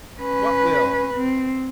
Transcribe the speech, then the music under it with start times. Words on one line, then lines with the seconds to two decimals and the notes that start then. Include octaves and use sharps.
"What will?"
0.20 C#4 B4
1.14 C4